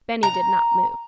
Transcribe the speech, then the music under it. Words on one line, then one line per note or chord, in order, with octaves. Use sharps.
Benny did not move.
A#5